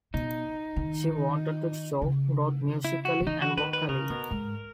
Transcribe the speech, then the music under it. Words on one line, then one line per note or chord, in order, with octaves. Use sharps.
She wanted to show growth musically and vocally.
B2 D#4
D#3
C#3
E4
F#4
D#3
E3 D#4
F#4
D#3 B4
B4
C#3 A#4
B2
G#2